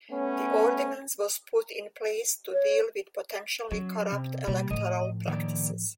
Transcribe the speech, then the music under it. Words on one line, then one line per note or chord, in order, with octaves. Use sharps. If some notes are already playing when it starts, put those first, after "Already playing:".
The ordinance was put in place to deal with potentially corrupt electoral practices.
A3 B3 C#4
C#5
F#3 C#4
C3
B2 G3 A#3
A2 F3 D#5
D#3 A#3 D5